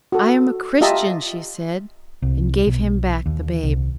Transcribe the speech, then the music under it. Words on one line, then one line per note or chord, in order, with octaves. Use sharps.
'I am a Christian,' she said, and gave him back the babe.
F#4 A4
F4 G4 D#5 E5 A5 A#5
C2
B1
D#2
C2